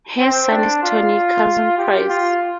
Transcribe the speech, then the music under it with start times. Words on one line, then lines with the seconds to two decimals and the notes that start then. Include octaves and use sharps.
Her son is Tony Curzon Price.
0.20 C4
0.51 D4
0.83 F4
1.78 G4
2.09 F4